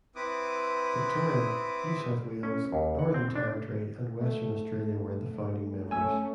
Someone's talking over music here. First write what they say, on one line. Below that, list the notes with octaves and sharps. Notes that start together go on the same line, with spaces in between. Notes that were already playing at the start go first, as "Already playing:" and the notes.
Victoria, New South Wales, Northern Territory and Western Australia were the founding members.
C4 E4 B4 D6 D#6
C#4
D#2
F#5
C4
D4
A3
A3 C#4 G#5 E6